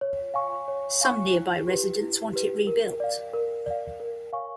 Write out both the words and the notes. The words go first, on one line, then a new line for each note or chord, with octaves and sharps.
Some nearby residents want it rebuilt.
C#5
F5 G#5 C#6
C#5
F5 G#5 C#6
E4
G4 B4
E4
G4 B4
A#4
D5 F5
A#4
D5 F5
A#4
C#5 F5 G#5 C#6